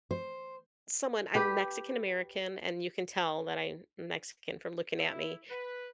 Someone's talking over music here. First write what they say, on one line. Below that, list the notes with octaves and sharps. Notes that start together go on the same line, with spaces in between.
someone I'm Mexican American, and you can tell that I'm Mexican from looking at me,
C5
G4 B4
E4
B4